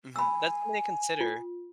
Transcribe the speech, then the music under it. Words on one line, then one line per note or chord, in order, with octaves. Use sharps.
Mhm, that's something to consider.
G#5 B5 E6
F4